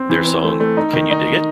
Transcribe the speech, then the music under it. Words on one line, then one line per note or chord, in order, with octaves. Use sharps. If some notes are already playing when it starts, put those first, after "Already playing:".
Their song Can You Dig It?
Already playing: C4
E3
C4
A3
A3
D#4
D#3
D#4